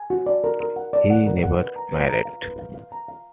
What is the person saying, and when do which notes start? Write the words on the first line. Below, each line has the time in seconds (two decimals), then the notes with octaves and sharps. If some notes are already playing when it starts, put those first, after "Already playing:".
He never married.
Already playing: G#5
0.10 F#4
0.26 D5
0.44 A#4
0.60 A#4
0.76 F#5
0.93 D5
1.10 F#5
1.26 A#4
1.43 F#5
1.60 B4
1.76 A#5
1.92 B4
2.09 A#5
2.25 F5
2.43 B4
2.59 F5
2.75 F5
2.92 A#5
3.08 F5